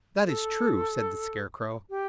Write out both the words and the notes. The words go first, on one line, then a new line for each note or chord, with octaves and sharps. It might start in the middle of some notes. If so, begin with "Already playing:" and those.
"That is true," said the Scarecrow.
A4
G4